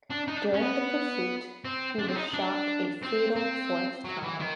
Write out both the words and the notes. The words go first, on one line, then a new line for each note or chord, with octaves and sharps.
During the pursuit, he was shot a fatal fourth time.
D4
D#4
D4
C#4
B3
C4
D4
C4
D#4
D4
C4
C4
F#3
E3
D#3